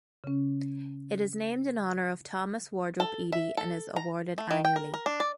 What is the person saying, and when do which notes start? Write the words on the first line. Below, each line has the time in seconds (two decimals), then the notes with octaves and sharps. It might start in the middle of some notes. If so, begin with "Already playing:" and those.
It is named in honour of Thomas Wardrope Eadie and is awarded annually.
0.24 C#3 C#4
3.00 A4
3.32 E5
3.57 A4
3.96 A#5
4.38 A3
4.51 D#3
4.65 G5
4.76 A#4
4.94 A#4
5.06 D4
5.20 D5